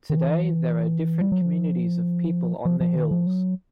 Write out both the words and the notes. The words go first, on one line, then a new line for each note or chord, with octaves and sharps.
Today, there are different communities of people on the hills.
D#3
E3
G3
F#3
F3
F3
F3
D#3
F3
F#3